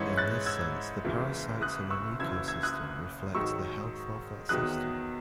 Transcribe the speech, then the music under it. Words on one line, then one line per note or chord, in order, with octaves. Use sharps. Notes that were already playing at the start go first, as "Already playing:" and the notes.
In this sense, the parasites in an ecosystem reflect the health of that system.
Already playing: G#2 E3 G#3 C#4 E4
F#6 A6
E6 G#6
F#1 F#2 E3 G#3
D#6 F#6
C#6 E6
F#1 F#2 E3 E6 G#6
E6 G#6
D#6 F#6
G#2 D#3 F#3 C#6 E6
E2 D#3 F#3 B3 D#6 F#6